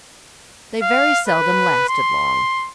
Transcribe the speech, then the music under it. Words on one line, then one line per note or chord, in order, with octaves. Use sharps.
They very seldom lasted long.
F5
B4
C6